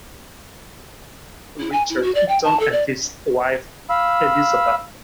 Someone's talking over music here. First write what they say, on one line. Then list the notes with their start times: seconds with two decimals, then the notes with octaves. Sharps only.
Richard Eaton and his wife, Elizabeth.
1.60 E4
1.72 G#5
1.90 E4
2.02 F#4
2.15 D5
2.28 G5
2.44 A5
2.60 A4
2.72 D5
3.90 F5 B5 E6